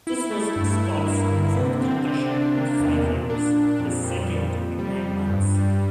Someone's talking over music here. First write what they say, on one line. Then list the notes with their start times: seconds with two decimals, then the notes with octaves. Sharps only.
This was Scott's fourth concussion in five years, his second in nine months.
0.07 E4
0.31 A3
0.56 G2
0.81 E4
1.06 A#3
1.32 D3
1.56 C3
1.81 C4
2.06 C3
2.31 D4
2.56 A#3
2.80 E2
3.05 A#2
3.30 D4
3.55 A#2
3.80 F2
4.04 G3
4.29 F2
4.54 F2
4.79 G3
5.04 F2
5.29 G2
5.54 G3